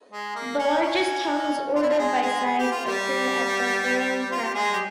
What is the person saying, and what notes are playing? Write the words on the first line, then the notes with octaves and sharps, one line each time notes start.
The largest tongues, ordered by size, occur at the Farey fractions.
G#3
A#3
C#4
C#4
F4
E4
F3 F4
G#3 G#4
G#3 G#4
G#4
G4
F4
G3 G4
F4
G4
G#3 G#4
G4